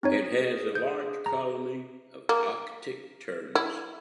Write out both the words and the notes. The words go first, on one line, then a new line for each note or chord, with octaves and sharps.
It has a large colony of Arctic terns.
C4 D#4 G#4 C#5
G6
A#5
A#3
E4